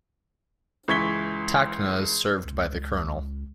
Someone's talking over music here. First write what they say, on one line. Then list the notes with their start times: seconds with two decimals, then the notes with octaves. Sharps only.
Tacna is served by the Crnl.
0.88 C#2 E3 C#6 G#6 B6 G7
2.45 C#2